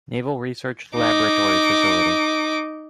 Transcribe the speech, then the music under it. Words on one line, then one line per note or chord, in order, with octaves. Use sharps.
Naval Research Laboratory facility.
D#4 D6